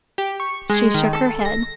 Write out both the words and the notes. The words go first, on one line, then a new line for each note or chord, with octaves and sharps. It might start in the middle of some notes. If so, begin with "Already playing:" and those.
She shook her head.
G4
C#6
G#3
D#3
A4
A#6